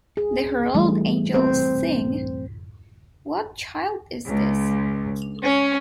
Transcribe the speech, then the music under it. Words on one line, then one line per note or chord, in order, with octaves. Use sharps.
The Herald Angels Sing", "What Child Is This?
G#4
E3 G3 A3 E4
C4 C5
C#2
C#4